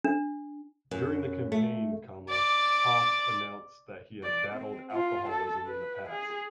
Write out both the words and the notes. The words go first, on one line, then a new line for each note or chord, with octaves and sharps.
During the campaign, Hoff announced that he had battled alcoholism in the past.
D4
F#2
A3
D5 D6
D5
C4
F4
A4
B4
G#4